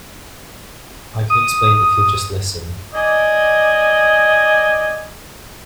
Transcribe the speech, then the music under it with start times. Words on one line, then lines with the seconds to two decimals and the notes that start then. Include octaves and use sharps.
I can explain if you'll just listen.
1.30 D#6
2.94 D5 D#5 G#5